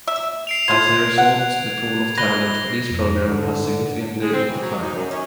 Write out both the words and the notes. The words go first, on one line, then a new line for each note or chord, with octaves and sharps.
As a result, the pool of talent for these programs has significantly declined.
E5
C7 D7 F7
F4 C5 G#6
F#5
B4 A#6 G7
F2 A#6
G2 D3
G#3
C4
E3
F#3
D#4
F#2
C#4